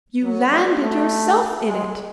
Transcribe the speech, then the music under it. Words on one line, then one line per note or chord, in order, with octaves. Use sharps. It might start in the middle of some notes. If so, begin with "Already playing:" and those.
You landed yourself in it.
F#3
G3
A3
G#3